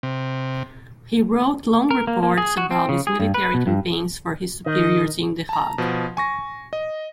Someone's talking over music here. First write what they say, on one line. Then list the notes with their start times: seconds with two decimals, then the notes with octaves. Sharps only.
He wrote long reports about these military campaigns for his superiors in The Hague.
0.03 C3
1.91 A#4
2.07 A#3
2.23 A#3
2.38 G#4
2.57 F#4
2.71 C4
2.89 C#3
3.07 G#4
3.20 G2
3.34 B4
3.54 B2
3.67 G2
4.66 D#3 D#5
5.49 A5 A#5
5.78 B2 F3
6.17 G#5 C#6 A#6
6.73 D#5